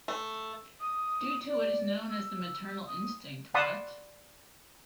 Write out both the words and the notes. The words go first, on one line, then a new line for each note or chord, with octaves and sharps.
Due to what is known as the maternal instinct, what?
A3
D#6
D5
E6
D#6
D5 F#5 A5 B5 C6 D#6